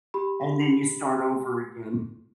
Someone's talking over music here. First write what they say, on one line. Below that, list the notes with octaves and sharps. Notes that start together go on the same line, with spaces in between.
and then you start over again.
G4 B5